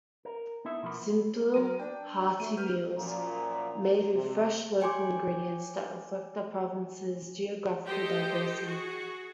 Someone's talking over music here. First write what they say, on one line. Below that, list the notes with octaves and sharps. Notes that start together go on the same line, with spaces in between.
Simple, hearty meals made with fresh local ingredients that reflect the province's geographical diversity.
A#4
B3 D#4 E4 A4 E5
B2 F3 A#3 B3 B5
F#3 A#4 D#7
D4 G5
A3 D#7
B4 F6 G6
F#2 A#2 F3 A#5
C3
C#5 G5 G#5 C6 D6
G4 A4 C5 D#5 G5
F#4 G#4